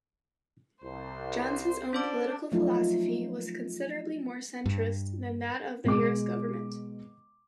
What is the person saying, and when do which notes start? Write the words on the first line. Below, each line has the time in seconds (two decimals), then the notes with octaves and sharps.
Johnson's own political philosophy was considerably more centrist than that of the Harris government.
0.83 C2 C5
1.93 C#4 D4 C5 D6
2.52 F3 F#3 A3 C#4 D#4 F4
4.66 G2
5.84 B2 G#3 D6